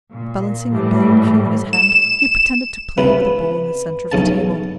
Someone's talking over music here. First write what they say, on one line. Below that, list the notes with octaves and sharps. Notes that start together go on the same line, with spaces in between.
Balancing a billiard cue in his hand, he pretended to play with a ball in the center of the table.
A#2
A2 E3 G3
E7
C#2 C3 B4
B1 C#3 A5